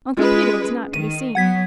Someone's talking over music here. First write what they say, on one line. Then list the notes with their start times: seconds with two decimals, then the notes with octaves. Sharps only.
Uncle Peter was not to be seen.
0.17 G#3 C#4 F4 B4
0.94 D#3 D#7
1.35 F#3 B3 F#5 G#6 B6